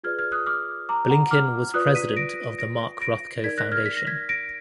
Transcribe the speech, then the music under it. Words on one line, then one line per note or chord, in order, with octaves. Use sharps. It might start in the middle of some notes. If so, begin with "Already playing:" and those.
Blinken was president of the Mark Rothko Foundation.
F4 G#4 B4 D5 F6 G#6
F6 G#6
D#6 F#6
D6 F6
A#5 D6
F#5 A#5
D6 F6
F4 B4 D5 D#6 F#6
B6 D#7
A#6 D7
A#6 D7
A#6 D7
D#4 A#4 D5 G#6 B6
F#6 A#6
F6 G#6
B6
A#6
G#6 B6
A#6 D7